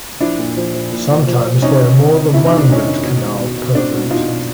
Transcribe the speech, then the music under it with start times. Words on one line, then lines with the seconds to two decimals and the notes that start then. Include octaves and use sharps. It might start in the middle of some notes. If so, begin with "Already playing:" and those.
Sometimes there are more than one root canal per root.
0.21 F3 D4 E4
0.38 A#2
0.57 F3
0.74 F3
0.92 A#2
1.10 F3
1.27 F3
1.45 F3
1.62 C3 C#4 D#4
1.81 D#3
1.98 C3
2.17 D#3
2.34 C3 E4
2.46 D#3 D#4
2.58 D4
2.69 C3 C#4 D#4
2.87 D#3
3.04 B2
3.22 B2
3.40 B2
3.58 B2
3.75 B2 C4 D4
3.94 B2
4.10 B2 D#4 F4
4.28 B2